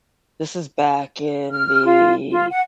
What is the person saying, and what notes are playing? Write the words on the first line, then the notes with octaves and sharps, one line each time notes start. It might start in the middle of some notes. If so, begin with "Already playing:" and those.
this is back in the
F6
F4
F4
F#5